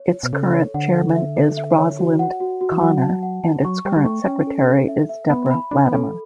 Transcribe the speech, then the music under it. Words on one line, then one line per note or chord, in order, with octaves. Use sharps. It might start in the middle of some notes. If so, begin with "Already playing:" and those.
Its current chairman is Rosalind Connor and its current secretary is Deborah Latimer.
Already playing: C#5
C#5
B2
C#3 A4
C#5
D3 F#5
A4
E5
A4
E5
C#5
F#4
F#5
F#4
F#4
E3
F#3 F#5
A5
F#5
A5
F#3 C#6
G3 G5
G3
A3 C#6
C#4 G5
A4
A4
E5
E5
B3 B5
B5
D4 B5
C#4
B3
C#4 A4